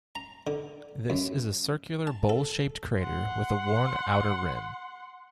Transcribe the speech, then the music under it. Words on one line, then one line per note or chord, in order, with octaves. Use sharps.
This is a circular, bowl-shaped crater with a worn outer rim.
A#5
D3
F#2
A5
A4
F#5 C6